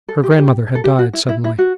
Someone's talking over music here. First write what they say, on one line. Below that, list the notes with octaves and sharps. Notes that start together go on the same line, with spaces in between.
Her grandmother had died suddenly.
A4
G4
A4
G4
A4
G4
F#4
E4
E4
E4
F#4